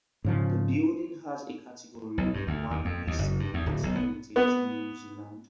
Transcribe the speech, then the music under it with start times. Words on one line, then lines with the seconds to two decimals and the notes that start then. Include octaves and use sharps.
The building has a Category One listing with Heritage New Zealand.
0.24 G#2 C#3 F3
2.18 B1
2.34 G2
2.47 D2
2.70 D#2
2.85 F2
3.07 D#2
3.19 F#1
3.40 G2
3.54 E2
3.66 D1
3.83 B1
3.96 B3
4.36 B3